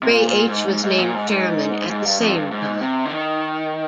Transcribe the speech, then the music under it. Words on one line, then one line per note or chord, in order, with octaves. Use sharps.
Ray H. was named chairman at the same time.
C3
A#2
A#2
G#2
G#2
G#2
A#2
G#2
G#2
G#2
G2
F2
G2
G#2
C3
D3
D#3